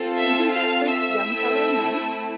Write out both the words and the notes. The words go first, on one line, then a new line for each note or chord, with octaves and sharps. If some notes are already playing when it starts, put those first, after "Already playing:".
Wasn’t that first young fellow nice?
Already playing: C4 F4 A4
E5 E6
F5 F6
E5 E6
A3 C4 E4 A4